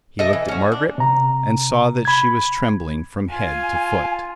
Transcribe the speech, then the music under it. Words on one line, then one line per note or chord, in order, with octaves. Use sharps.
He looked at Margaret and saw that she was trembling from head to foot.
A4 D#5 E5
E3
C#4 F#4
D4
C3 A#5
B5 G#6
F4 G#5